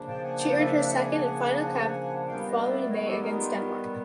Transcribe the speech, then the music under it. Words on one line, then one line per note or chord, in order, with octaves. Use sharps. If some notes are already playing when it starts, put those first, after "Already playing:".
She earned her second and final cap the following day against Denmark.
Already playing: C#3 F3 A#3 D4
G5 A5
F#5 G#5
G5 A5
F5
D5 E5
E5 F#5
F#5 G#5
D#3 G3 B3 F5 G5
D#5 F5
D5 E5
C#5 D#5
G4 A4
G#4 A#4
D#4 F4